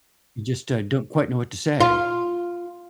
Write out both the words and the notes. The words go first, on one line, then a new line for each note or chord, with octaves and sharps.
You just, uh, don't quite know what to say.
F4